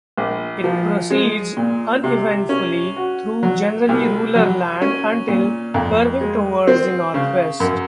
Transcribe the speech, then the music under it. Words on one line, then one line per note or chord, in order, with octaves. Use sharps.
It proceeds uneventfully through generally rural land until curving towards the northwest.
A#1
F3
G#3
A#2
C3
C#4
F#4
F#3
C2
F#3
C#4
A#2
F2
G#3
C4
C#3
F#2